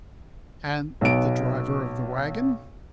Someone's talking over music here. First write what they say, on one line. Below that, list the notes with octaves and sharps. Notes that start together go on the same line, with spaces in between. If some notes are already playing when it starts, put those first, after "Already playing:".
And the driver of the wagon?
B1 B3 D7